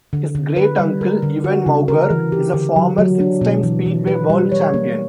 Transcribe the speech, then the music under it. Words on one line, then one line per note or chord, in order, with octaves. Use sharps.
His great-uncle, Ivan Mauger, is a former six time Speedway World Champion.
D3
D3
B4
G3
A#4
D3
F#4
C#3
A#4
E3
G4
D3
F#3
F#3
D4
B2
E3
E3
B4
G3
C#5
A#3